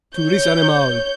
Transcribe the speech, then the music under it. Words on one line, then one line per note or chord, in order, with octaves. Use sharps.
Tu ris, animal?
C#5 G6